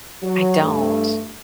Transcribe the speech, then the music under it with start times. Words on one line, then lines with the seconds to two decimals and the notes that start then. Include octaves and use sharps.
I don't.
0.22 F#3
0.59 G2 A3